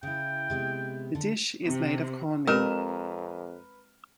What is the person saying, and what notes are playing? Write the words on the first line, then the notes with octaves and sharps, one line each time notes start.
The dish is made of cornmeal.
C#3 E4 G5
C3 G#3 B3
D3
C3
F2 G#3 C4 G4 A#4 B4 F6 E7